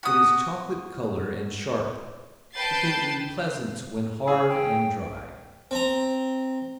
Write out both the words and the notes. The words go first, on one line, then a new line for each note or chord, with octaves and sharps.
It is chocolate-color and sharp, piquantly pleasant when hard and dry.
F#4 D#6
B4 G5 A5 G6 A6 C7
G#4 E6
G5
C4 A#5